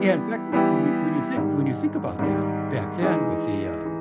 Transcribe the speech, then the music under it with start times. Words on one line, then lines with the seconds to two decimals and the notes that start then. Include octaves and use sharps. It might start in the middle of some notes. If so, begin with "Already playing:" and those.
Yeah, in fact, w when you when you think when you think about that back then with the, um,
Already playing: E3 G3 B3 E4 G4
0.52 E3 G3 B3 E4 G4
1.36 G#2 D#3 G3
2.19 G#2 D#3 G3
3.02 E3 G#3 D#4
3.86 E3